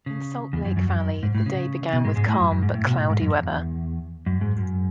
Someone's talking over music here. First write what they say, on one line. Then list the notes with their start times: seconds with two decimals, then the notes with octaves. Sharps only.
In Salt Lake Valley, the day began with calm but cloudy weather.
0.06 C#3
0.53 E2
0.65 F#2
0.77 F#2
0.89 F#2
1.00 F#2
1.23 G#2
1.35 A2
1.46 C#3
1.93 B2
2.05 G#2 G#3
2.16 G#2 G#3
2.28 A2
2.40 F#2
2.52 F#2
2.62 G#2
2.75 A2
2.87 B2
2.98 A2
3.10 G#2
3.21 F#2
3.33 E2
4.26 F#2
4.41 G#2
4.57 F#2